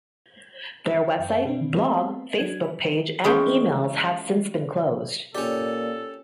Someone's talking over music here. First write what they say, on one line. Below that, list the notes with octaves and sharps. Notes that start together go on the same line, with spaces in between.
Their website, blog, Facebook page, and emails have since been closed.
F#2 G5
B2 C4 D4
A3 B3 C4 B4
F#3 D4 G#6
B5
E3 G#3 C#4 G5
A#2 C#4 G4 A4 D5